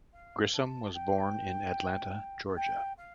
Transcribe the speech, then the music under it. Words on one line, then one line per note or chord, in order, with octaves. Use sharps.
Grissom was born in Atlanta, Georgia.
F5
A5
G5
G5
F5